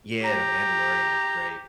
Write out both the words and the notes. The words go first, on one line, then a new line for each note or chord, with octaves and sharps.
Yeah, The Mandalorian is great.
G4 A#5